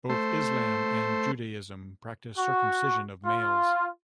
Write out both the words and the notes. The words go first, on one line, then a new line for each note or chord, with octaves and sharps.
Both Islam and Judaism practice circumcision of males.
A3 C5
F#4
F4